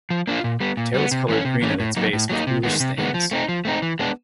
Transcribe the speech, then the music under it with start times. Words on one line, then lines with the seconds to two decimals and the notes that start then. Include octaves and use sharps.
The tail is coloured green at its base, with bluish stains.
0.10 F3
0.27 A#3 D4 F4
0.44 A#2
0.60 G3 B3
0.77 A#2
0.94 G3 B3
1.12 C3
1.29 E3 A3 C#4
1.45 C3
1.62 E3 A3 C#4
1.80 A2
1.97 F#3 A#3 D#4
2.13 A2
2.30 F#3 A#3 D#4
2.47 C3
2.63 D#3 G#3 B3
2.80 C3
2.98 D#3 G#3 B3
3.14 F3
3.31 A3 C4 D#4
3.49 F3
3.65 A3 C4 D#4
3.82 E3
3.99 G#3 B3 D4